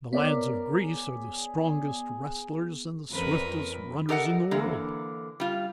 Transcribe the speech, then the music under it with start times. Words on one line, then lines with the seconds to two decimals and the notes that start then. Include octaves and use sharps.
The lads of Greece are the strongest wrestlers and the swiftest runners in the world!'
0.13 B3 A#4 C#5 D5 D6
0.81 G#4
3.11 F2 C#4 A#4 B4
4.09 G4 A4 A#4 D#5 F5 F#5
4.51 D3 E3 A#3
5.40 G3 F4